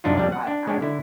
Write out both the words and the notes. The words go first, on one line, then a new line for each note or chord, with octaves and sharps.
I I
C2 F#2 D4 D#4 F4
F2 G3 D4
F#5
D4
G#3 C#4 D4
D3 E4